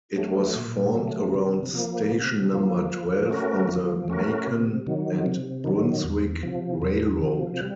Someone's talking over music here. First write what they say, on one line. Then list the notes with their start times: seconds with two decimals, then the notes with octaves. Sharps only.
It was formed around station number twelve on the Macon and Brunswick Railroad.
0.16 F#3 A3
0.56 A#2
0.95 F#3 A3
1.34 C3
1.73 F3 A#3
2.12 C3
2.51 F3 A#3
2.90 F3
3.30 A3 C#4 F#4 A#4
3.69 F3
4.08 A3 C#4 F#4 A#4
4.47 C3
4.87 D#3 F#3
5.26 C3
5.64 D#3 F#3
6.04 E2
6.43 C3 F3
6.82 E2
7.22 C3 F3
7.60 G3